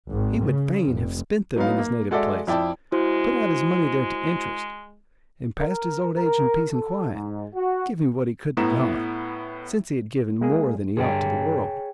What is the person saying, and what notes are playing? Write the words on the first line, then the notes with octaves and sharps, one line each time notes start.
He would fain have spent them in his native place, put out his money there to interest, and passed his old age in peace and quiet, giving what he could to God, since he had given more than he ought to the world.
G#1
C#3
F1
F#3 B3 D#4 F5
A#3
G#3 F#4 A4 D5 E5
F2 E4 D5 G5 A5
G#3 E4 F#4 C5
A#4
A#4
A4
G#2
F#4
A2 B3 E4 A#5 E7
G#3 A#3 G#4
G2 D3 G#4 C#5 G5